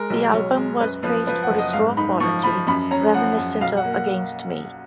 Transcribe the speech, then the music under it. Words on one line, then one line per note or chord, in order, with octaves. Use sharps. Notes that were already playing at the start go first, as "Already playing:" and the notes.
The album was praised for its raw quality, reminiscent of Against Me!
Already playing: G#3 A#4
B1
B1 C#5
G#3
F#2 B4
F3 B4
F3 B4
F#5
F#1
D#5
G#2 F5
D#4 B5
F3 C#6
F3 B5
F#2 B5
C#4 A#5
F3 F#5
F#2
B1 F5
F#5
A#3
F#5